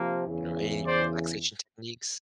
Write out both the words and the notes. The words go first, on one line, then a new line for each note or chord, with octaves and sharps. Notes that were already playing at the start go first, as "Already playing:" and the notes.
You know, any relaxation techniques?
Already playing: C3 F3 A#3
E2 C#3 E3
C5 D5